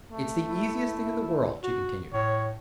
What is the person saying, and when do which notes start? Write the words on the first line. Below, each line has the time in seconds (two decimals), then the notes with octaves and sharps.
"It's the easiest thing in the world," she continued.
0.12 A3
0.49 E4
1.63 F#4
2.13 A2 C#5